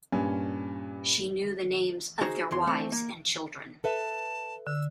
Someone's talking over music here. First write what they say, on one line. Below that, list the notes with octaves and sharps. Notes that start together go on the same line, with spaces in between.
She knew the names of their wives and children.
G2 A#2 C#4
D#4 F#4 G#4 C5
E2 E3 C6
E3 A3 C4
A#3
A4 B4 E5 A5
D3 E6